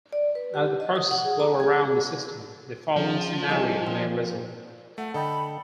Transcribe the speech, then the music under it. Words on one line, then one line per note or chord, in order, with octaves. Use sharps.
As the processes flow around the system, the following scenario may result.
D5
B4
G4
D#5
D#6
F#5
G#4
A#5
G#4
C#3 F3
C2 D#4 G#4
A#2 C4
A3 F#5
D3 A4 D#5 G5 B5